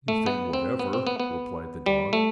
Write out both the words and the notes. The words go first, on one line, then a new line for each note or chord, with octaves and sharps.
"Nothing whatever," replied the dog.
A3
B3
C4
B3
C4
B3
B3
G3
A3